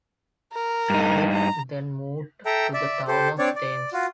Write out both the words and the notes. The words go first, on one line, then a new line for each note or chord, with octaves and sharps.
Grigg then moved to the town of Thames.
A#4
G2 D#4
A#5
A4 E5 G5 A#5
D5 E5
G4 A4 C5
C4 D4 C#5 D5
D5
F4 F#4